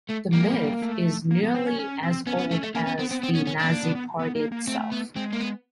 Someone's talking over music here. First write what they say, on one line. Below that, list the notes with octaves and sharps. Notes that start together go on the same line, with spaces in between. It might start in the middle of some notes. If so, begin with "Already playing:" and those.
The myth is nearly as old as the Nazi party itself.
A3
G3 A#3
G#3
G3
A3
A#3
B3
C4
C#4
C#4
C4
B3 C#4
B3
A3
A3
A#3 C#4
B3
B3 C4
C4
C4
C#4
C#4
B3 D4
A#3
B3
B3
B3
A#3
A#3
A3 C4
B3
G#3 C4
A#3
B3